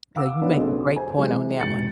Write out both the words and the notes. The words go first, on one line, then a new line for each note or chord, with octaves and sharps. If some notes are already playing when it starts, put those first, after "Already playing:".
So you make a great point on that one.
F5 F#5 D6 E6
B3 D4 D#4 B4 C#5
B1 D3 C4 G#4 A4 D#5
C5 G#5
C3 E3 F#3 G#3
E1 G#2 A6 C#7 F#7